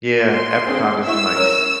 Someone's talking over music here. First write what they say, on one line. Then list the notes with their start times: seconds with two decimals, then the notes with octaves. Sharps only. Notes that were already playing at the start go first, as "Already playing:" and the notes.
Yeah, Epcot is nice.
0.22 C6
0.67 C4 D4 G#4
1.06 E4 E5 C#6 E6
1.35 C#4 A#4 C#5